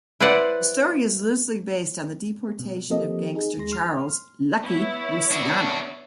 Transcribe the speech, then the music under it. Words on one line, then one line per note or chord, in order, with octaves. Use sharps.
The story is loosely based on the deportation of gangster Charles "Lucky" Luciano.
E4 B4 C5 D5 F#5
B2
F3 A#3 C4 G4 A4 D#5
D#4 G#4
D#2 G#3 G#4 C6 A#6
C6 F6
B3 E4 C#5
D4 F#4